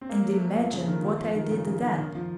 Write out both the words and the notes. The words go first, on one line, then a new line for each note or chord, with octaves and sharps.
And imagine what I did then!
C4
A#3
F#3
A3
F3
C#3
D#3
F3
F3
D#3
C#3
C#3
D#3
D#3
F3